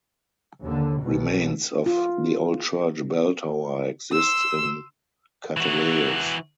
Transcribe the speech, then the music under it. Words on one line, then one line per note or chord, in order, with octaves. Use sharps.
Remains of the old church bell-tower exist in Kateleios.
D#2 D3
C2 B2
F4
C6 E6
E3 F#4